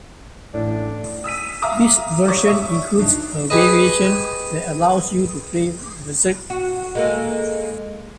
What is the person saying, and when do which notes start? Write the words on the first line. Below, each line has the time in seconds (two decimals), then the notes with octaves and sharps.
This verison includes a variation that allows you to play "Berzerk".
0.54 A1 A2 D4
1.24 D#6 E6 B6 D#7
1.62 E5 F5 A#5 D6 D#6 F6
2.28 G4 C#5 D5 D6 D#6
2.46 E5 C#6 D#6
2.99 D4 D#4
3.50 G4 G#4 B4 D#5
6.50 F#4
6.95 G#3 A#3 A4